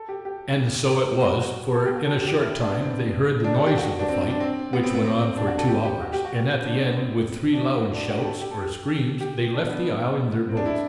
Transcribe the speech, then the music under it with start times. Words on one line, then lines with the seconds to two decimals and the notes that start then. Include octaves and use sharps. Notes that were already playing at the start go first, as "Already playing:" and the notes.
And so it was, for in a short time they heard the noise of the fight, which went on for two hours, and at the end, with three loud shouts or screams, they left the isle in their boats.
Already playing: A4
0.09 G4
0.25 G4
0.89 G4
1.04 G4
1.21 F#4
1.37 F#4
1.74 A4
1.85 G4
1.96 F#4
2.06 A4
2.17 G4
2.27 G4
2.38 E4
2.49 E4
2.60 D4
2.71 B3
2.81 C4
3.44 D4
3.56 A4
3.66 G4
3.77 F#4
3.99 D4
4.09 C4
4.30 D4
4.40 C4
4.73 B3
4.84 C4
4.95 B3
5.05 C4
5.21 C4
5.37 D4
5.47 F#4
5.58 A4
5.68 G4
5.85 G4
6.01 F#4
6.13 G4
6.25 F#4
6.65 D4
6.75 C4
6.86 B3
6.97 C4
7.53 D4
7.61 E4
7.77 F#4
7.94 D4
8.09 F#4
8.18 G4
8.25 A4
8.41 G4
8.51 A4
8.61 G4
9.20 G4
9.54 D4
9.69 B3
10.49 C4
10.57 D4
10.66 E4